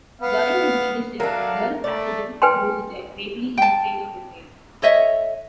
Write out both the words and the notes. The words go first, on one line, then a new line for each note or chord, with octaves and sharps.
During his leadership, Ger Hasidim grew greatly in the State of Israel.
B3 F5
F#3 A3 D4 A#4 F5
A3 D5
B4 G5 G#5 C6
G5 A5
A4 C#5 D#5 E5